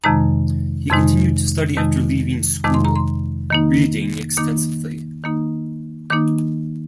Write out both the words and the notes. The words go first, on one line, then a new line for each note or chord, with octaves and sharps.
He continued to study after leaving school, reading extensively.
F2 C3 D#3 G#3 D#4 A#5
F2 C3 D#3 G#3 D#4 C6
F2 C3 D#3 G#3 D#4
F2 C3 D#3 G#3 D#4 D6
C6
A#5
C6
D#3 A#3 D#4
D#3 A#3 D#4 D6
D#3 A#3 D#4
D#3 A#3 D#4 D6